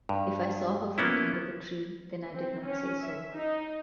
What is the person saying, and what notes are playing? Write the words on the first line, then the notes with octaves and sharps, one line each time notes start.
If I saw her feet under the tree, then I did not say so.
G2
A#3 B3 C#4 E4
C4
C#4
E5
D#4